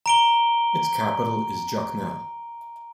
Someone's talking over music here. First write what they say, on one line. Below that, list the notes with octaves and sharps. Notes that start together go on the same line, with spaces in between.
Its capital is Jacmel.
A#5 D7 G7